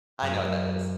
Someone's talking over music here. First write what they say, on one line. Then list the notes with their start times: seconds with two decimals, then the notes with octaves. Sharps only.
I know what that is.
0.22 F#2